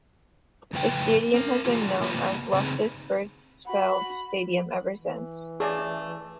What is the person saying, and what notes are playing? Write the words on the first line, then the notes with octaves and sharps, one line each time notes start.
The stadium has been known as Loftus Versfeld Stadium ever since.
F2 A2 C#3 A3 B4 G5
C4 A#4
C3 E3 A3 F4 G4 G#4
C3 E3 A#3 G4 B4
C#3 B3 C4 D#4 G#4 B4
F#4 B5
E3
C#3 A3 G#4 D5